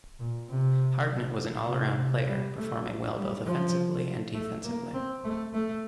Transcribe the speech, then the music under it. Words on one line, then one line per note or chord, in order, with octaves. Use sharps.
Hartnett was an all-around player, performing well both offensively and defensively.
A#2
C3
C3
C3
G3
A3
G3
F3
A3
A#3
C4
A3
A3